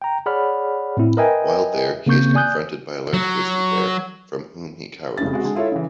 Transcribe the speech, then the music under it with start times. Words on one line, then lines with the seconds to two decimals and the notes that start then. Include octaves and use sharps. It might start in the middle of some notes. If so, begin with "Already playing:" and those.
While there, he is confronted by a large grizzly bear, from whom he cowers.
0.02 G5 A#5
0.26 G#4 C#5 D5 F#5 B5 F6
0.97 A2 C4 E4
1.17 A#4 B4 D#5 E5 G5 G#5
2.06 C#3 A#3 C4 C#6 G6
2.35 D5 G#5 D#6 F#6 G6
3.14 F#3
5.18 F1 C#3 G3 C#4 A6
5.31 C3 G#3 F#4
5.44 D3 G#3
5.55 E4 F4 A4 C#5 E5
5.72 C#3 E3